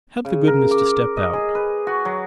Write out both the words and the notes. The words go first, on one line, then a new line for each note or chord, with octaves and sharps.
'Have the goodness to step out.'
C#3
A#4
D6
D#5
G#4
B4
F#4
F#3